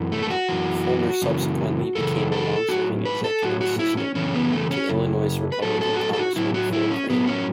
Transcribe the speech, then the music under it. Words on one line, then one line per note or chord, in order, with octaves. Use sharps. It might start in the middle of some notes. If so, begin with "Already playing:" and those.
Feulner subsequently became a long-serving executive assistant to Illinois Republican congressman Phil Crane.
Already playing: F#2 E3
A3
A4
F#4
F#2 E3
F#2 C#3 E3
F#2 C#3 E3 A4
A4
A2 F#3 F#4
B4
A4
A2 F#3 F#4
F#4
E4
C#4
F#2 C#3 E3 C#4
B3
A3
C#4
F#2 C#3
B4
A2 F#3 A4
A4
F#4
A4
A4
F#4
A2 F#3 E4
F#4
E4
C#4
A2 F#3 B3
C#4